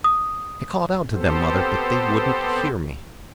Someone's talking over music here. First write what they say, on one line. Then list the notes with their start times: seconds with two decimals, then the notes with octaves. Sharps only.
"I called out to them, mother, but they wouldn't hear me."
0.04 D#6
1.13 B3 C4 G4 A4 C5